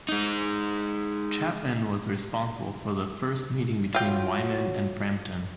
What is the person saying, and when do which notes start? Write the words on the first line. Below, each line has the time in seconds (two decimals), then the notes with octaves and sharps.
Chapman was responsible for the first meeting between Wyman and Frampton.
0.09 G#3 D#4
3.95 F4 F#4 C#5 G5